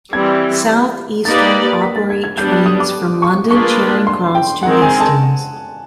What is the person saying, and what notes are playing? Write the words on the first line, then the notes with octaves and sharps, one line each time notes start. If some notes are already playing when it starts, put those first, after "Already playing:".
Southeastern operate trains from London Charing Cross to Hastings.
E3 G3 C4 G#6
A#3 D#4 G4 B4 D5 A6
B6
A6
G#6
G#6
G3 B3 D4 G6
F#6
D#6
D6
C#6
A#3 D4 F4 G#4 B4 C#6
C6
G5
D#3 G#3 C4 F#5
G#5
A5